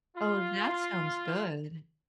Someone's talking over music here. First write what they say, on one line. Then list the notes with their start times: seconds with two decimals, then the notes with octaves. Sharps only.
Oh, that sounds good.
0.17 F4